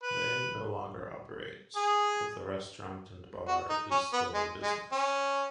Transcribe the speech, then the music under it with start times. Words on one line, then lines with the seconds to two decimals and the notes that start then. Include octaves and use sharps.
The inn no longer operates, but the restaurant and bar is still in business.
0.03 B4
1.76 G#4
3.48 F#4
3.70 D#4
3.91 C#4
4.13 B3
4.34 G#3
4.63 G#3
4.92 C#4